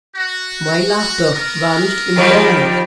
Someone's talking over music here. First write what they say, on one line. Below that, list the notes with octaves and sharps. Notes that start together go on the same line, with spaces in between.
My laughter vanished in a moment.
F#4
B3 A#4
D#3 F3 G3